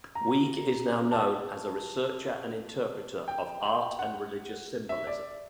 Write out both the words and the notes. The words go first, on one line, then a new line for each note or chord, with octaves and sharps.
Wiig is now known as a researcher and interpreter of art- and religious symbolism.
A#5
A5
G5
F#5
E5
D5